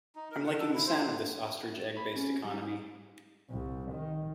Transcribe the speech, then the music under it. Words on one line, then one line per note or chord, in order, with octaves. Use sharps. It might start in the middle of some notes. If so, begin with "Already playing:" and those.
I'm liking the sound of this ostrich egg based economy.
D#4
A#4
F#5
A4
E4
C5
B5
C#4
G3
C2
D#3